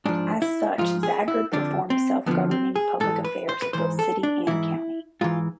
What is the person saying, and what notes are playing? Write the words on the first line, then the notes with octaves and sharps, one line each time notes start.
As such, Zagreb performs self-governing public affairs of both city and county.
G#2 F3 D4
E4
G#2 F3 F4
G#4
E4
F2 D3 F3 D4
C4
F2 D3 F3 B3
C4
G#4
G#2 E3 A4
B4
C5
B4
G#2 E3 C5
A4
D4
G#2 E3 E4
G#2 E3 F4